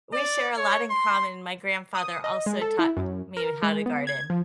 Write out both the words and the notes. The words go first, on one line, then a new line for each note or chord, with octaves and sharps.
We share a lot in common, my grandfather also taught me how to garden
D5
C#5
C6
D#6
D#5
G#3
A4
E4
F#2
A#4
G#3
B3
G#6
F3